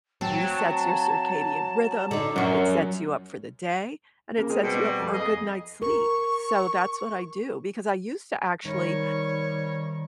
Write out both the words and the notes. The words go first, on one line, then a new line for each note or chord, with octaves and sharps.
resets your circadian rhythm, it sets you up for the day, and it sets you up for a good night's sleep. So that's what I do, because I used to actually,
F#3 C4 A5
D3 D#4
F#2 F3 F#4
C#3 A#3
G#3 C4 G#4
B2 G3
F2
G#4 D#5
A#4 C#6
C3 D#3 G3 C#5